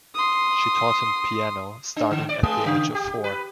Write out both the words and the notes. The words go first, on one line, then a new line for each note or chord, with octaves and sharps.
She taught him piano, starting at the age of four.
C6 D#6
D4
D3
D5
G#3
C#3
G4
B4